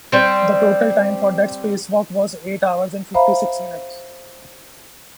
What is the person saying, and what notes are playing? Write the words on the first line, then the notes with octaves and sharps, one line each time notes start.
The total time for that spacewalk was eight hours and fifty-six minutes.
G3 C4
C5 E5 F5 A#5 B5